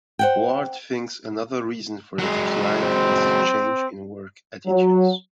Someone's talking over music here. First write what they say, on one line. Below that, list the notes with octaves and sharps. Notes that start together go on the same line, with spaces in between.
Ward thinks another reason for the decline was a change in work attitudes.
C5 F#5 G5
F#3 G#3
C4
F#3